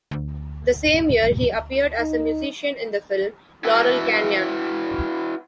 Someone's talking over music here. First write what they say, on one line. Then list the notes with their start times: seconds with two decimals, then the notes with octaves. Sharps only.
The same year, he appeared as a musician in the film "Laurel Canyon".
0.11 D2
2.00 D#4
3.65 E4 F#4 B4